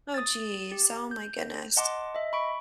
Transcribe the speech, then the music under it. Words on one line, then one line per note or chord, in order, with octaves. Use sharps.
Oh, jeez. Oh my goodness.
D#6 A6
G4
G6
D#5 F#5 A5 C6 D6
D#5 E5
B5 C#6 D7